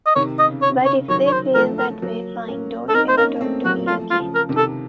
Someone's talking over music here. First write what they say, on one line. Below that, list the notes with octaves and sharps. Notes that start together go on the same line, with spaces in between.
But if they feel that way, fine, don't ever talk to me again.
D#5
C3 D#3 C#5
D#5
C#3
C#5
C#3
C#5
D#3 F#3 C#5
C#5
C5
F3 A3 A#4
A#4
F#3 A#3
A#3 C#4
A4
C4 D#4 A#4
C5
A#3 C#4 A#4
C#4
A3 C4
F#3 A#3 F#4
F3 A3 F4
F4
C#3 F3
A#4
C3 D#3
A4